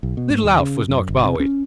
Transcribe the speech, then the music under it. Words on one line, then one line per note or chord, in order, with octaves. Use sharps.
Little Alf was knocked bawways.
B1
B2
G#2
D#2
C#3
F#2
G1
C3
C#4